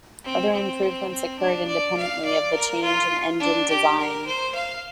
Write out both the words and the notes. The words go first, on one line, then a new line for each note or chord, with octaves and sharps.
Other improvements occurred independently of the change in engine design.
C4
C4
C4
D4
D5
F5
D5
A#4
F4
D4
G4
A#4
C5
F5